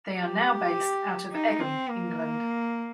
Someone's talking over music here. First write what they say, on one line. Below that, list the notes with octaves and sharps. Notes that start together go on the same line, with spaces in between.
They are now based out of Egham, England.
G4
D#4
C4
A#3